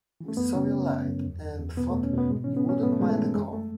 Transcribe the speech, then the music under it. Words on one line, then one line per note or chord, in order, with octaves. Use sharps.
We saw your light, and thought you wouldn't mind a call.
E3
A3
F#2 B3
C#3 C#4
C#3
F#2
F#2
E2
E2
E2
B2 B3
A3
B2
C#4
B2 B3
G#2 G#3
C#4
E3
B3
E3 C#4
G#2 B3
A3
E3 G#3
A3
E3
F#2 G#3
A3